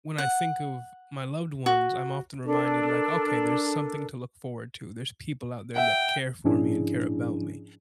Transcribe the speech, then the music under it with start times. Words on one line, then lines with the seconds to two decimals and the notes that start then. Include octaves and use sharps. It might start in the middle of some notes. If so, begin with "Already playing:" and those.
when I think of my loved ones, I'm often reminded, like, okay, there's something to look forward to. There's people out there that care for me and care about me.
0.18 F#5
1.66 F#4
2.45 D4 A4 A#4
5.76 E5 F#5 G5
6.44 G#2 F3 C#4 D4 E4 G#4